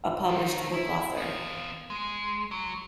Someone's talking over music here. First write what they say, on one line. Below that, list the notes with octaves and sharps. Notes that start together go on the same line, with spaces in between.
a published book author.
D#2 D#3
E4
B3 F5
G#3
F#3